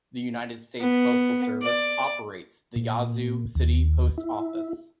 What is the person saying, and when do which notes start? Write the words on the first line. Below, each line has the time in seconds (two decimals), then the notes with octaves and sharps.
The United States Postal Service operates the Yazoo City Post Office.
0.81 B3
1.62 D5
2.76 A#2
3.55 D#2
4.18 E4